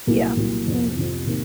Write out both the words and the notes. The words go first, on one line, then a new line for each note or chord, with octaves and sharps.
Yeah. Mhm.
C2 A#2 F#3 A#3
C2 A#2 F#3 A#3
F2 C3 F3
F2 C3 F3
C3 D#3 A#3